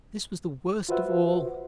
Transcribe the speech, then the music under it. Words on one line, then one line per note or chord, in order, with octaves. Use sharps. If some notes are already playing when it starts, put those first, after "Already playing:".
This was the worst of all!
F4 F#4 B4 C5 E5 F#5